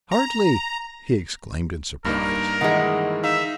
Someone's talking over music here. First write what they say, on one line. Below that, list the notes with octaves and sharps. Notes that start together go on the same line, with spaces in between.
"Hartly!" he exclaimed, in surprise.
A#5
G2 A#3 D#4 A#4
D#3 E3 G#3 D#5 F#5
D#4 E5 F5